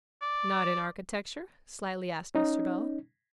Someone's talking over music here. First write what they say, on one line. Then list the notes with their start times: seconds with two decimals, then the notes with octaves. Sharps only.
'Not in architecture?' slyly asked Mr. Bell.
0.22 D5
2.35 C#4 D#4